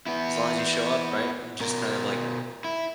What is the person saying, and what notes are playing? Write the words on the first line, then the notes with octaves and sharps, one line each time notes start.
As long as you show up, right, and just kind of, like,
B3 E4
B2 A#4
E4